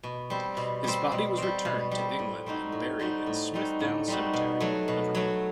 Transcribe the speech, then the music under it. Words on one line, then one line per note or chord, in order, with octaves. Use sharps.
His body was returned to England, and buried in Smithdown Cemetery in Liverpool.
B2
G3 C4
B2
G3 C4
B2
G3 C4
B2
G3
C4
A2
G3 C4 D#4 F#4
A2
G3 C4 D#4 F#4
A2
G3 C4 D#4 F#4
A2
G3 C4 D#4 F#4
B2
F#3 A3
B2
F#3 A3